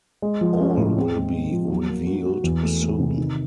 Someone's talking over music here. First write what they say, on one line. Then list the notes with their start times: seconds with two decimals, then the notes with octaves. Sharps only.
All will be revealed soon.
0.22 G#3
0.41 F3
0.60 C#4
0.77 A2
0.97 C4
1.15 G#3
1.33 G#3
1.52 F3
1.70 F#3
1.89 A#3
2.07 F#4
2.25 F#4
2.44 E2
2.63 A3
2.81 A3
3.00 C3
3.18 D#3